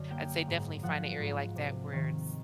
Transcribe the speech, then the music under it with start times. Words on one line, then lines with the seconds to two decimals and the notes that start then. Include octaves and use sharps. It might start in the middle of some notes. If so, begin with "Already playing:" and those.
I'd say definitely find a area like that where it's
Already playing: F#2 D3
0.10 A#3 G5
0.47 G#2
0.83 F3 F#5
1.19 G#2
1.56 C3
1.93 D#3